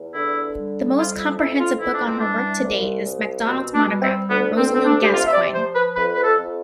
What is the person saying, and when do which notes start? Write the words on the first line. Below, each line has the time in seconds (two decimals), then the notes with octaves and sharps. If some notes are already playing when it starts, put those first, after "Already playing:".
The most comprehensive book on her work to date is MacDonald's monograph "Rosalie Gascoigne".
Already playing: E2
0.14 D3 E4
0.56 G3
0.97 F2 F4
1.18 E4
1.38 F2 E4
1.59 F4
1.80 E3 E4
1.93 D4
2.06 C4
2.18 G3 D4
2.63 C2
3.05 C2
3.46 B2 C4
3.74 D4
3.88 G3
4.02 C4
4.29 D2 B3
4.57 C4
4.70 D2 C4
4.85 D4
5.02 G4
5.12 C3 F4
5.26 E5
5.33 D5
5.54 F3 C5
5.74 B4
5.95 F2 B4
6.15 B4
6.23 A4
6.37 F2